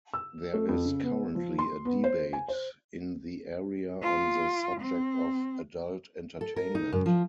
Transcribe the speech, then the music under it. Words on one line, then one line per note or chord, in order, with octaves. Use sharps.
There is currently a debate in the area on the subject of "adult entertainment".
E6
A3
F2
C#3
B3
F3
C6
B3
C5
G#5
C5
F4
C4
A4
A#4
D#4
F#2
F3